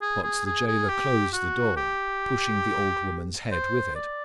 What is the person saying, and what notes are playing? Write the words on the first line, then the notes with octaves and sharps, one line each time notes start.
But the jailer closed the door, pushing the old woman's head with it.
G#4
G#4
G#4
G#4
G4
F#4
G4
C5
D5